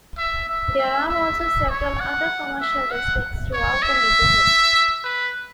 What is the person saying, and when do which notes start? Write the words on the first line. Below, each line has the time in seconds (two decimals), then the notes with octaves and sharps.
There are also several other commercial districts throughout the neighborhood.
0.18 E5
0.49 E5
0.79 E5
1.09 E5
1.40 E5
1.70 C#5
2.00 F#5
2.61 E5
2.91 F#5
3.53 C#5
3.83 E5
5.04 B4